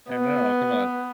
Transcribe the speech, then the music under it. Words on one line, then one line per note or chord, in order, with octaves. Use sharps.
I know, come on.
B3